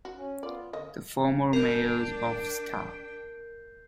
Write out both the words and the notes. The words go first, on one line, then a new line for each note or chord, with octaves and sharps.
The former mayors of Sta.
F#4
C#4
B3 F4 D5
D3 D#5
D4 A#4 G5 G6 C7